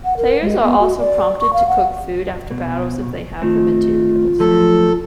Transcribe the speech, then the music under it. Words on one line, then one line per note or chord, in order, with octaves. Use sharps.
Players are also prompted to cook food after battles if they have the materials.
F#5
A#4
G#3
B3
F#4
D5
C#6
F5
F#5
B2
D#3 A3 C4 F4
F3 F#3 A3 A4